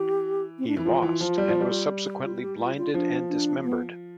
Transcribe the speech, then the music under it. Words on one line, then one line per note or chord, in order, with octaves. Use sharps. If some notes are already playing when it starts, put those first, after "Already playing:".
He lost and was subsequently blinded and dismembered.
Already playing: E3 G4
C4
D4
E3 E4
F3 F4
E3
F3
G3
F3
G3
F4
F4
G4
F4
F4
F3 D4
D4
B3